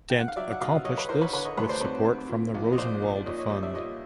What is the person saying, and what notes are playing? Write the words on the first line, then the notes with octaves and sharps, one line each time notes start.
Dent accomplished this with support from the Rosenwald Fund.
G5
F#5
F5
F#3 D5 E5
F#5
B2 D#5 F5
F#3 C#5 D#5
B4 C#5
E2 A#4 C5
B4 C#5
D3 B4 C#5
C#5 D#5
D2 B4 C#5
C5 D5
C4 B4 C#5
C4
A#2
A#1
D#5
A#1 C5 D5
A#1
D5
A#2 C#5 D#5
C#5 D#5
G3 C#5 D#5
D5 E5
A#2 C#5 D#5